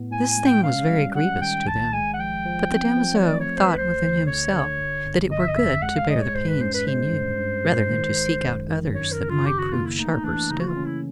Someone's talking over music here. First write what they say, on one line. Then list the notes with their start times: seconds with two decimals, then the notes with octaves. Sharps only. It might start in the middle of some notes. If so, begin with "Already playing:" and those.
This thing was very grievous to them, but the damoiseau thought within himself that it were good to bear the pains he knew, rather than to seek out others that might prove sharper still.
Already playing: A2 B3
0.11 A2 G#5
0.29 G#5
0.37 G#3
0.46 G5
0.63 C#4 F5
0.89 G3
1.15 G3 F#5
1.41 D#3 G5
1.67 B1 A5
1.93 G#3 G#5
2.14 F#5
2.19 F3 G5
2.45 F3
2.71 C4
2.97 F3
3.16 C#5
3.22 A3 D5
3.40 C#5
3.49 A3
3.57 C5
3.67 B4
3.75 D2 C5
4.01 D3
4.27 D3 C#5
4.53 D3 C#5
4.79 G1
5.05 G1
5.31 G1 D#5
5.39 E5
5.48 D#5
5.56 F2 E5
5.82 G#3 F#5
5.96 F5
6.09 G#3 D#5
6.22 C#5
6.35 G#2 C5
6.48 B4
6.61 C#4 C5
6.74 B4
6.87 G#3 C5
7.13 G2
7.39 G2
7.65 G#3
7.90 D#3
8.17 G#1
8.43 F#2
8.68 D#3
8.94 F#2 C#5
9.12 A#4
9.21 C#3
9.29 F4
9.46 C#3 G4
9.59 F#4
9.72 A#3 F4
9.85 E4
9.98 A3 D#4
10.24 E3 D4
10.50 C#3 D#4
10.59 F#4
10.68 F4
10.76 C#4
10.85 E4